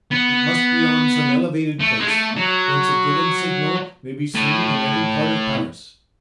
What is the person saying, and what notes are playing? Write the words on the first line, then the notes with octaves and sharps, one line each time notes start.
"It must be on some elevated place, whence a given signal may be seen in every part of Paris."
B3
A3
G#3
A3
F#3
A2